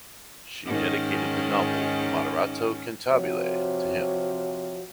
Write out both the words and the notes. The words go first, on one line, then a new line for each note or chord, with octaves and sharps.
She dedicated the novel "Moderato cantabile" to him.
G#2 D#3 C#4
C3 F3 F#4 C#5